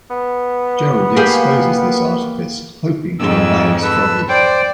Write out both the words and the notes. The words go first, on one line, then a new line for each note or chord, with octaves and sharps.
Gerald exposes this artifice, hoping to embarrass Froggy.
B3
A#3 G4 G#4
F2 G#2 E6
A4 B4 E6
C5 D5 G5